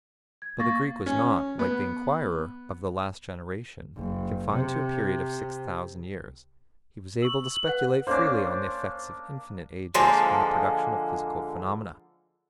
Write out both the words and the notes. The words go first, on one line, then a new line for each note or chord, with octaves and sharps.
But the Greek was not, like the enquirer of the last generation, confined to a period of six thousand years; he was able to speculate freely on the effects of infinite ages in the production of physical phenomena.
G#6
A#3 C#6 A6 A#6
C#4
B3
F#1
C3
C#6 E6 F#7
B4 F#5 F#6
A#3 C#4 D4 C5
D3 F3 G#3 A#3